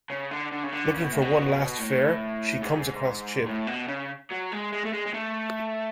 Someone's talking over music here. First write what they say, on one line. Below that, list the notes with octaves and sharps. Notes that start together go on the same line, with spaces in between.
Looking for one last fare, she comes across Chip.
C#3
D3
D3
C#3
D3
C#3
B2
A2
B2
A2
G#2
A2
B2
C#3
F#3
G#3
G#3
A3
G#3
G#3
A3